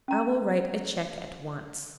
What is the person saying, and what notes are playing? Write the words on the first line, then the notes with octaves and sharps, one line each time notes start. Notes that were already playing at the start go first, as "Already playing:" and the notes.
I will write a cheque at once.'
C#4 A#5